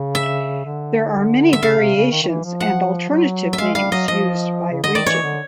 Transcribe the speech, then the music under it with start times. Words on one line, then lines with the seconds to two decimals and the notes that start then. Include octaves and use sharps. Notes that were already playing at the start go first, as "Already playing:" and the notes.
There are many variations and alternative names used by region.
Already playing: C#3
0.15 E5
0.65 D3
1.53 E5
1.63 C#3 F5
1.79 C3
1.95 C#3
2.12 D#3
2.23 D#3
2.28 E3
2.44 F3
2.60 F#5
3.10 F#3
3.53 E5
3.58 G#3 F5
3.75 G3 F5
3.92 F#3 D#5
4.08 F3 D#5
4.72 C#3
4.83 D3 D#5
4.95 D#3 D5
5.06 E3 C#5
5.22 D3